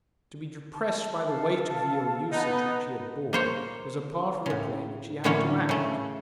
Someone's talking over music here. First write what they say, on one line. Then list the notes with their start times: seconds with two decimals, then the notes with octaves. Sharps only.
To be depressed by the weight of the ill-usage which he had borne was a part of the play which he had to act.
0.74 A5
1.27 A4 F5 A5
2.32 B3 D#4
3.33 A#3 C5 C#5
4.46 A2 C#3
5.24 A2 D3 E3 A#3 C#4 C#5
5.69 C#3 A3